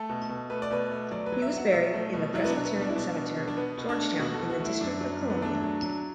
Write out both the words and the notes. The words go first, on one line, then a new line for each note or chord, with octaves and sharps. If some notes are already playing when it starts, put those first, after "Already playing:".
He was buried in the Presbyterian Cemetery, Georgetown, in the District of Columbia.
Already playing: A3 A4
B2
B2
A3 B4
D5
B2 B4
A3
F#3 D5
B4
F#3
E5
F#3 F#5
B2 E5
A3
B2
F#3 E4
B3
D4
B2
B3
B2
D4
E4
B2 D4
B2
B2
D4
B2 B3
B2
D4
A3
B2 F#4
B2 A4
F#4
A3
E4
F#2 D4
F#3
F#2
B3
A3 D4
F#3
F#3